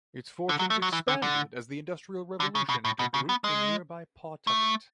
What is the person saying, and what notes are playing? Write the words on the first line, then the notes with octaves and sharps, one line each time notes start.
Its fortunes expanded as the Industrial Revolution took root in nearby Pawtucket.
D3
F#3
A3
F#3
E3
D3
D3
D3
C#3
B2
A2
B2
C#3
B3
G#3
A3